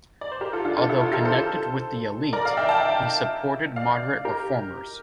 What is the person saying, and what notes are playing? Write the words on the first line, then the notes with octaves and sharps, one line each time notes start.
Although connected with the elite, he supported moderate reformers.
D5
C5
G4 A#4
F4 A4
D4 F4
F4 A4
E4 G4
F4 A4
G4 A#4
A4 C5
A#4 D5
D5 F5
E5 G5
F5 A5
E5 G5
D5 F5
G4 A#4